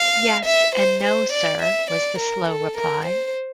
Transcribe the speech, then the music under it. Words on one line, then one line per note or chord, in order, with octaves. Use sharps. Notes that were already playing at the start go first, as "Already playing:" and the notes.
Yes, and no, sir, was the slow reply.
Already playing: F5
E5
C5
C5
D5
E5
D5
A#4
A4
A#4
C5